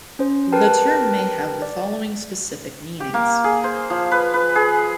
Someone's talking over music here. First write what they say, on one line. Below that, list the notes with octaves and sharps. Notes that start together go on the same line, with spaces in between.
The term may have the following specific meanings.
C#4 C5
G4 A#4 B4 G5 A5
D5
G4
A#3
G#4
C5
F3
B4
B4
G#4